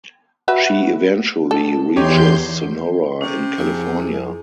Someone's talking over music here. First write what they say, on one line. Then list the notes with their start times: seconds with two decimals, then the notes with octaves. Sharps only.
She eventually reaches Sonora in California.
0.48 F#4 B4 E5
1.51 A4
1.96 E2 D#4 G4 C#5 C6 G6
3.21 C3 C#4
3.58 F2 E4 G#4